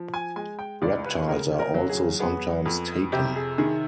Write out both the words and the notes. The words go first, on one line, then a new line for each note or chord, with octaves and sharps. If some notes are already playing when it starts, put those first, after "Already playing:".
Reptiles are also sometimes taken.
Already playing: F3
G#5
G#3 G#5
G5
C#2 D5
B4
C#3 A#4
A#4
F#3
G#4
B3 G#4
F2
C3 G4
G#4
D#3 G#4